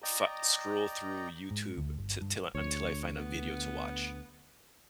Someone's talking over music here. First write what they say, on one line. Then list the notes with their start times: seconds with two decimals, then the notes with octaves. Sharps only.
fu scroll through YouTube ti 'till until I find a video to watch?"
0.03 D5 D#5 G5 A#5
1.51 G#2
1.77 D2
1.98 G1
2.21 G2
2.55 D2 C#5
3.16 B3